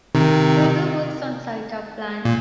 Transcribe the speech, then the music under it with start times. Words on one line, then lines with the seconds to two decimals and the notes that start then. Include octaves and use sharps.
Further works on site are planned.
0.15 C3 D#3
2.25 A#2